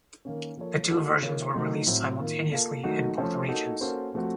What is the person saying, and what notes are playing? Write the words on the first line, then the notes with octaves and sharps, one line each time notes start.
The two versions were released simultaneously in both regions.
D#3 A#3 C#4
F3 A#3 F4 A4 C#5
A#3 D#4 F#4 A4
D#3 A#3 F4 A#4 C#5
D#3 F#3 A3 D#4
A2 F#3 C4
D#3 A#3 F4
A#3 F4 A4
D#3 F#3 A3 D#4 F#4
F3 A3 C#4 A4 C5
A#3 D#4 F#4 A4
A#3 C#4 F#4 A4 C5
F3 A3 C4 F#4 C5